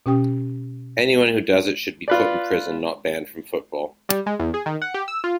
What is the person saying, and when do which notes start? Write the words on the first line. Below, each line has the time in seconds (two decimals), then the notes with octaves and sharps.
Anyone who does it should be put in prison - not banned from football.
0.06 B2 C#4 G4 G5 D#6
2.08 F4 B4 D5
4.09 G3
4.26 G#3
4.40 E2
4.54 G#4
4.66 D#3
4.82 F#5
4.94 G4
5.08 E6
5.24 F4